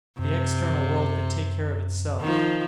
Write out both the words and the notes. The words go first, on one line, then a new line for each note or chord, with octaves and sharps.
The external world could take care of itself.
F#2 C3
D#3 F3